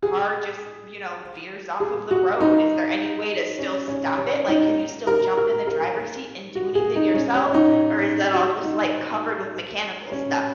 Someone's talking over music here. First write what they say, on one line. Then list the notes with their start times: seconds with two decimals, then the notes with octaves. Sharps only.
car just, you know, veers off of the road? Is there any way to still stop it? Like, can you still jump in the driver's seat and do anything yourself, or is that all just, like, covered with mechanical stuff?
0.03 G#4
1.80 G#4
2.11 F#4
2.40 D#4
3.59 C#4
3.88 C#4
4.18 C#4
4.48 D#4
5.07 A#4
5.37 A#4
5.67 A#4
6.55 F#4
6.75 G#4
6.96 D#4
7.15 C#4
7.35 C#4
7.54 D#4
8.34 F#4
8.64 D#4
10.12 C#4